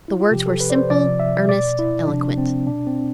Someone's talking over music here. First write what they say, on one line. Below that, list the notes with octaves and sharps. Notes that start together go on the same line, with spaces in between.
The words were simple, earnest, eloquent.
E4
F4
C3 F3 G4
A4
B4
D5
C5
C3 F3 D5
E5
B2 D5
E4
C3 F3 D4
C4
B2 D4
C4